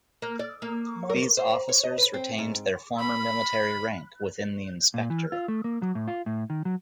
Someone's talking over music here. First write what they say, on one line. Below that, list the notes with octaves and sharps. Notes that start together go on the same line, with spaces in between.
These officers retained their former military rank within the Inspectorate.
A#3
D5
A#3
A#4
C5
C#5
D#5
B4
C4
G#2
B5
A#2
E3
F4
A3
A#3
F#3
A2
F4
A2
D#3
F#3